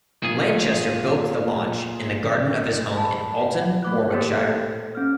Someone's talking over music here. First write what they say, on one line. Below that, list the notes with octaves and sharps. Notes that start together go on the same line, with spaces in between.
Lanchester built the launch in the garden of his home in Olton, Warwickshire.
A#2 G#4
A5 B5
F#5 G5
A3 D6 F#6
A#3 G4 A4 C5
C#4 F6